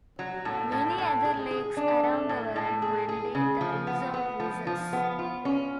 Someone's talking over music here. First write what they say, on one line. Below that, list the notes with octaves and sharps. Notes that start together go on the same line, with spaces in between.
Many other leagues around the world mandate the use of visors.
F#3
A2
A2
A2
G#4
G#4
D4
A3
A2
A2
G#4
G#4
C#3
F3
B3
B3
F3
F3
B3
F4
C#4